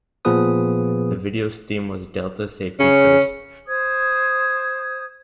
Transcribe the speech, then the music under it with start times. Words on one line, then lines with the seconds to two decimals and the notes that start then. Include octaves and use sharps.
The videos' theme was "Delta Safety First".
0.25 A#2 F3 B3 G#4 B4 D#6
2.80 C#3 C#4
3.67 C5 D#6 G#6